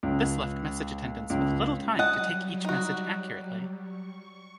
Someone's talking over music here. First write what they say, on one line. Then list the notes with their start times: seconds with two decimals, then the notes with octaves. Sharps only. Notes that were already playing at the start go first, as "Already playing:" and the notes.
This left message attendants with little time to take each message accurately.
0.03 C#2
1.30 C#2
1.99 F#3 G3 D#5 F#5 A5
2.65 D#4 F#4
3.78 C#6